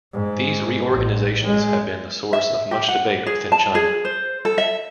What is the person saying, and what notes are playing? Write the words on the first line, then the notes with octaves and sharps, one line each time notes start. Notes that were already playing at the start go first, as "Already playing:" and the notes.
These reorganizations have been the source of much debate within China.
G#2
A1
G#3
E5
G4
F#5
G#4
A5
G#4
C5
A4
E5